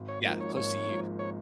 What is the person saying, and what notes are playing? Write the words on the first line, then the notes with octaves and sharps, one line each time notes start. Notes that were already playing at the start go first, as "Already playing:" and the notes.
Yeah, close to you.
Already playing: G#1
C#5
G#2 F3 A#3
C#5
G#1 C#5
G#2 F3 A#3
C#5